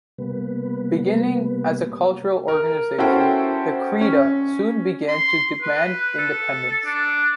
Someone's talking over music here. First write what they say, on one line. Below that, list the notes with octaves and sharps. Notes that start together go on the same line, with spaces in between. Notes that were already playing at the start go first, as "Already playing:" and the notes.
Beginning as a cultural organisation, the Crida soon began to demand independence.
C3 G3 A#3 B3 B4
A#4
C#4 E4 F#4 A4 C5 G5
C#4
C6
B4
A4
D4